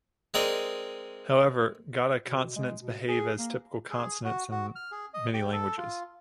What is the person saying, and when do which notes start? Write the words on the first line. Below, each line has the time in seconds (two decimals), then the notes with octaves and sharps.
However, glottal consonants behave as typical consonants in many languages.
0.34 G#3 C4 A#4 D5 D#5
2.26 B2
2.56 G#3
2.80 B2
3.08 G#4
3.39 A#3
3.90 G#4
4.25 F#4
4.51 F#4
4.76 F6
4.92 G#4
5.14 D#5
5.33 G4
5.52 A4
5.78 F4